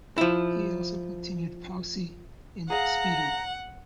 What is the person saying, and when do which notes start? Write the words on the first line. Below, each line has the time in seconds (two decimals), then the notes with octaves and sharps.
He also continued "Poussy" in "Spirou".
0.18 F3 E4
2.70 G#4 F5 F#5 A#5